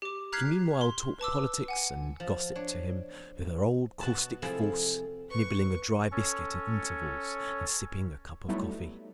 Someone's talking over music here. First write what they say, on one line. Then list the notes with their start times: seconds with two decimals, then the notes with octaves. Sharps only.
She meanwhile talked politics and gossip to him, with her old, caustic force, nibbling a dry biscuit at intervals and sipping a cup of coffee.
0.02 G4 D6
0.32 A#5 F6 F#6 G#6 B6 C7
0.81 C6
1.19 B4 A5 D6 E6
1.68 F#5 G#5
2.20 F3
2.55 D4 C#5
4.01 B2 F#4 A5
4.42 C3 F3 C4 E4 G#4 A4
5.30 B4 C#6
6.12 C#4 A4 C#5
8.48 F#3 G3 A3 B3 D#4 E4